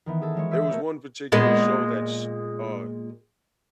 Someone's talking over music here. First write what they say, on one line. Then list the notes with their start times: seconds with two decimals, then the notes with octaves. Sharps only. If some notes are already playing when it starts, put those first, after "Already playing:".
there was one particular show that's, uh,
0.06 D#3 E3 B3
0.22 G#4 A4
0.35 F3 G#3 C#5
0.51 G#4 E5 E6 G6
0.70 E3 A3 A#3 A4 A#4 C#5
1.32 A#2 G#3 B3